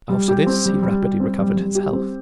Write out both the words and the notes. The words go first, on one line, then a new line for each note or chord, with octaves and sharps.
After this he rapidly recovered his health.
G3
G4
C4
G3
G3
G4
C4
G3
G3
G4
C4